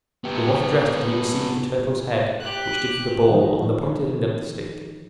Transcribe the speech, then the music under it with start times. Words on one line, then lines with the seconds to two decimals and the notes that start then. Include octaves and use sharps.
With what address did he receive the turtle's head, which did for the ball, on the pointed end of the stick!
0.24 B3 G4
2.40 G4 F#6
3.30 D#3 F3 D#4